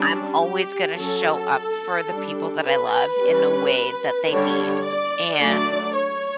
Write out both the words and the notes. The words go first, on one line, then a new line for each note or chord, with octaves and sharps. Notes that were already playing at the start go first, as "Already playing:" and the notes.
I'm always gonna show up for the people that I love in a way that they need. And
Already playing: G3 C#4 D4
G4
F#3 C#4 A4
G3 D4
B4
G3 C#4
D3 G3 D4 C#5
D5
F#3 A3 D4 D5
C#5